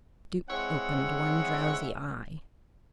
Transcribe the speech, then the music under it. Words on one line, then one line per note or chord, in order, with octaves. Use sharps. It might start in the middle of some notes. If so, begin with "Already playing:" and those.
Duke opened one drowsy eye.
G#3 C4 E4 C#5 F#5